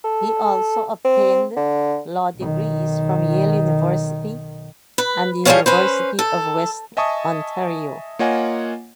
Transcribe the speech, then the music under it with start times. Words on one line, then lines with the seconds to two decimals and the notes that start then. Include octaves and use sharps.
He also obtained law degrees from Yale University and the University of Western Ontario.
0.04 A4
1.05 C4
1.56 D3
2.36 B1 D#3
4.98 B4
5.45 F3 G3 A3 G#4 C#5 F5
5.66 C#4 B4 C5
6.19 A4
6.97 D#5 E5 G#5 A5 C#6 D#6
8.19 A#3 F4 C#5 D#5 F#5 G#5